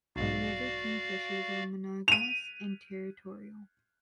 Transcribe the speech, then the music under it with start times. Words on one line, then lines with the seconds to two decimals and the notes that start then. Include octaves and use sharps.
River kingfishers are monogamous and territorial.
0.16 B1 G#2 F#4 D5 F5
2.08 D#7 F7